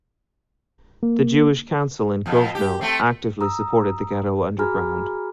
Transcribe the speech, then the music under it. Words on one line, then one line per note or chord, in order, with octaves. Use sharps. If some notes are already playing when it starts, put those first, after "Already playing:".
The Jewish council in Kovno actively supported the ghetto underground.
A#3
F2 B2
G4
A3 C4
A#5 D#6 E6
F#4 G#4 G#5 A#5 B5 F6